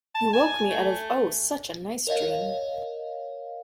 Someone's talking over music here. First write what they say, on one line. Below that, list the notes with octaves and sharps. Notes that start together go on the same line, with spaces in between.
You woke me out of, oh such a nice dream!
A5
G#5
A3
A#4 C#5 D#5 F5